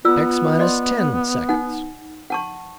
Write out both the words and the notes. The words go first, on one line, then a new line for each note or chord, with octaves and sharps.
X minus ten seconds.
B3 F4 D5 E6
D5 D#5 C6
D#4 F#5
F#5 A5 C#6